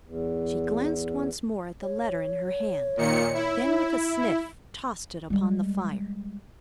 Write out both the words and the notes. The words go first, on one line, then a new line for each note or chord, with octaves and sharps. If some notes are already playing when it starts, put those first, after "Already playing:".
She glanced once more at the letter in her hand, then with a sniff tossed it upon the fire.
E2
C#5
A#2 D#3 C#7
E4
G3 G#3